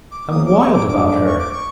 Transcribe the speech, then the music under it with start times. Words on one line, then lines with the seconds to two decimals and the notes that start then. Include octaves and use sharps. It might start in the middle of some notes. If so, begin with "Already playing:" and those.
I'm wild about her!
0.11 D6
0.30 E2 C#3 F3 A#3 D#6
0.45 D6
0.58 C#6
0.73 D6
0.87 G#2 F3 A3 D4 D6
1.07 D6
1.26 C#6
1.39 D6
1.53 C#6